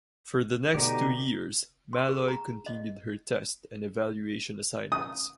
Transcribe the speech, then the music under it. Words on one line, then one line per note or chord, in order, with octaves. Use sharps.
For the next two years, "Maloy" continued her test and evaluation assignments.
B2 D3 D#4 G4
C6
G#4
A#5
D#5
D#6